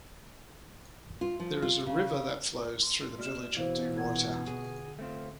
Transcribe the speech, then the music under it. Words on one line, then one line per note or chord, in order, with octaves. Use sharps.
There is a river that flows through the Village of DeRuyter.
F4
F3
F4
C#3
C6
A#3 F#4 D5 F6 E7
B2 E3 C5 F5
F4 F#5 G#6
D3 G#4
A3 C4 F4